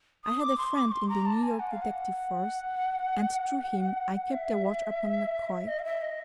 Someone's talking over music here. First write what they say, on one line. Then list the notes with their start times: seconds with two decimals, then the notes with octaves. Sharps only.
I had a friend in the New York detective force, and through him I kept a watch upon MacCoy.
0.24 D#6
0.41 D6
0.58 C6
0.75 D6
0.92 C6
1.09 A#5
1.26 A5
1.43 G#5
1.60 F#5
1.71 F5
1.82 F#5
4.32 E5
5.68 D#5
5.79 F5
5.85 E5
6.01 D#5